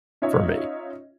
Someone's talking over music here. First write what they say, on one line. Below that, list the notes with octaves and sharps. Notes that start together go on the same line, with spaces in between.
for me.
C#4 D#4 F4 C#5 D#5 E5